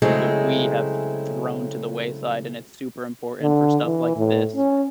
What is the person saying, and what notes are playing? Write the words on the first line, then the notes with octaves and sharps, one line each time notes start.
wh we have thrown to the wayside, and it's super important for stuff like this.
C#3 F#3 G#3 A3 C4 E4
D3
E3
A2
C#4